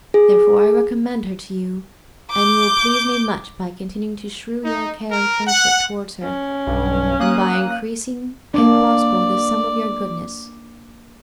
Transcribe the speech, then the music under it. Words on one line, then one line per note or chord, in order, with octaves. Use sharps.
Therefore I recommend her to you, and you will please me much by continuing to shew your care and friendship towards her, and by increasing, if possible, the sum of your goodness.
G#4
D6 G6
D#4
A#4
F#5
C#4
B1 G2
A#3 D#6 F#6
A#3 D4 D5